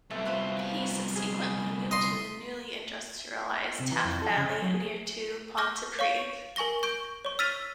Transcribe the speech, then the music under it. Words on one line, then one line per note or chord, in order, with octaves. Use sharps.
He subsequently moved to the newly industrialised Taff Valley near to Pontypridd.
C2 B2 A3
F4 B4 C5
G#4
D#5 C6
C3
E3
F2
A4
C#3
C#5
F#3
G#4
C#6 D6 F6 G6 A#6
C#5 F5 C#6
A#4 G#5 C#6 A#6 G7
C#6 G6 D7
C#5 C#6
E6 F6 A6 B6 D#7 F7